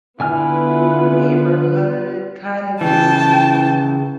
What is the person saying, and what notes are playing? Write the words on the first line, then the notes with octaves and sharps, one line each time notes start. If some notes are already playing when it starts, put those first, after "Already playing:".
neighborhood, kinda just to
D3 B3 E4 F4 B4 G#5 F6
C#3 E3 G5 A5